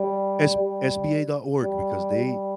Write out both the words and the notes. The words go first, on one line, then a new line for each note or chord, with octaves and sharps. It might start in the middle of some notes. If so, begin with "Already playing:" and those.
s sba.org because they
Already playing: G3
G3
G3
G3